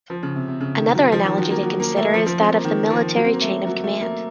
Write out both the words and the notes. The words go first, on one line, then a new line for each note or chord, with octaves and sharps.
Another analogy to consider is that of the military chain of command.
F3
C#3
C3
C3
C#3
D#3
F#3
F3
D#3
F#3
A#3
F#3
A#3
A3
F3
F3
C4
A#3
D#3
F3
F#3
C4
A#3
A3
F#3
A3
A#3